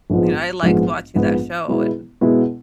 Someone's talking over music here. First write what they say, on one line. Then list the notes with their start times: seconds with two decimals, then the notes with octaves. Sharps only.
you know, I liked watching that show, and
0.10 A#1 G#2 F3 G#3 B3
0.63 A#1 G#2 F3 G#3 B3
1.15 A#1 G#2 F3 G#3 B3
1.68 B2 G#3 B3 E4
2.21 B2 G#3 B3 E4